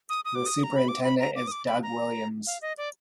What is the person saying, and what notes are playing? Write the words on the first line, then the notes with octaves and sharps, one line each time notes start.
The Superintendent is Doug Williams.
D#6
D#6
D6
D#6
A#5
B5
D6
B5
A#5
D6
D#6
D6
B5
A#5
F5
D#5
D5